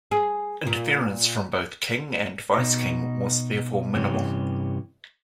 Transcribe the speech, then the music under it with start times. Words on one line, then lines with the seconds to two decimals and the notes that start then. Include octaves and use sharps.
Interference from both King and Vice King was therefore minimal.
0.11 G#4
0.67 A#2
2.54 B2 D#4
3.94 G2 C3 E3 C#4 G4